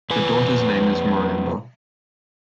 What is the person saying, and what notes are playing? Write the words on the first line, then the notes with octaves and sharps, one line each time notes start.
The daughter's name is Miranda.
F2 B4 G#5